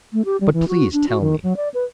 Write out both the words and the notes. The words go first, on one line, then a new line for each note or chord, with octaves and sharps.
"But please tell me."
A3
G4
G3
E3
F#4
D4
F#4
D#3
F#3
D5
B4